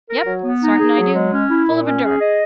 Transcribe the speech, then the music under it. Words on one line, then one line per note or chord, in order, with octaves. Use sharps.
Yup, sartin I do. Full of a dure.
A#4
F#3
B3
D#4
G#4
F#3
G#3
C#4
E4
A#2
C#4
G#4
D#5